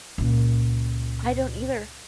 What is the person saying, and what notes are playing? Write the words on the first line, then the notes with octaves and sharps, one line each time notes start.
I don't either.
C#2 A#2